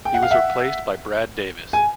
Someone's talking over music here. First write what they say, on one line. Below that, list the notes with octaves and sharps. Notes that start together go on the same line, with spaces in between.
He was replaced by Brad Davis.
G5
F#5
F5
E5 F#5
G#5